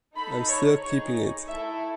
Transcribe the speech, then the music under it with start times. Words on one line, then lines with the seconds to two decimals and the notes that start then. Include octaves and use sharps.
I am still keeping it.
0.16 D#4 A4 B5
0.49 C#5
0.82 D#4 G#4 C#5
1.46 A3 E4 A4 E5